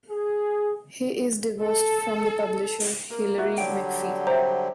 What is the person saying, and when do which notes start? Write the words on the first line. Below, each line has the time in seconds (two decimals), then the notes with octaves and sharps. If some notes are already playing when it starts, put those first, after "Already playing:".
He is divorced from the publisher Hilary McPhee.
0.10 G#4
1.62 A4
3.10 A#3 A#4
3.38 E4 F#4
3.58 D3 F#3 G3 G5 D7
4.27 C5 E5 G5 A#5